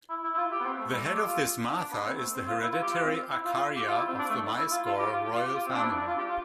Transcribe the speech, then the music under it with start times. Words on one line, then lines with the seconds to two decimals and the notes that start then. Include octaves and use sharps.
The head of this Matha is the hereditary Acharya of the Mysore Royal Family.
0.10 E4
0.23 E4
0.34 E4
0.37 F4
0.52 G4
0.60 B3
0.65 C4
0.80 A3
0.93 G3
1.05 A3
1.14 G4
1.26 F4
1.77 D4
1.92 B3
2.06 C4
2.19 A3
2.34 C4
2.48 F4
2.62 E4
2.72 F4
2.82 G4
2.93 F4
3.04 C4
3.32 E4
3.45 F4
3.56 F4
3.77 G4
3.88 F4
3.97 E4
4.08 C4
4.19 D4
4.29 A3
4.57 E4
4.72 F4
4.85 F4
4.99 G4
5.13 F4
5.24 G4
5.34 F4
5.45 G4
5.55 F4
5.66 C4
5.75 D4
5.84 E4
5.97 D4
6.07 F4
6.18 G4
6.29 F4